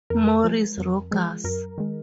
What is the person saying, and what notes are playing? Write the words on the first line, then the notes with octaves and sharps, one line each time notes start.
Maurice Rogers.
F2 A#4
F3 G#3
F2
F3 G#3
F#2 A#4
D#3 G#3